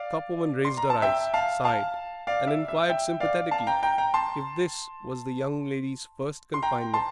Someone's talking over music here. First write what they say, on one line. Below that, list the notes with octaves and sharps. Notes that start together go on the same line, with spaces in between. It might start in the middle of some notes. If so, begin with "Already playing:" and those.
The shopwoman raised her eyes, sighed, and inquired sympathetically if this was the young lady's first confinement.
Already playing: D5 F5
C6
A#5
A5
E5 G5
F5 A5
F5 A5
D5 F5
E5
E5
E5 G5
D5 F5
F5 A5
G5 A#5
G5 A#5
G5 A#5
A5 C6
C6
G5 A#5
A5 C6